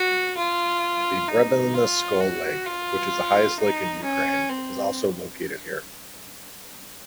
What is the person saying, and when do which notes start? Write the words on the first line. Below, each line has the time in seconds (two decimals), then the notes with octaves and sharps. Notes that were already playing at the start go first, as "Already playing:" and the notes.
The Brebeneskul Lake, which is the highest lake in Ukraine, is also located here.
Already playing: F#4
0.37 F4
1.29 D#4
1.74 F4
2.20 F#4
2.66 F4
3.58 D#4
4.03 C#4
4.49 C4